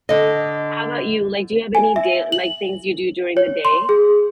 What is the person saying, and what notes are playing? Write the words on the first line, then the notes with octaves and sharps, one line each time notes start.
How about you? Like, do you have any da like, things you do during the day?
D3 D#5
G#5
E5
F#7
C#5
C6
G#4